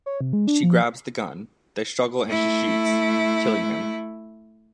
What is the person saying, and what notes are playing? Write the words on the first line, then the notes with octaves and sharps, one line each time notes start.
She grabs the gun, they struggle and she shoots, killing him.
C#5
C3
G#3
D4
F3
A3 E4